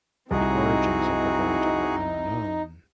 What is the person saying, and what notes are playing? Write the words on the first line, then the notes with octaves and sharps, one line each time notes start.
The origins of the bullet are unknown.
C2 C4 D#4 E4 F#4 G#4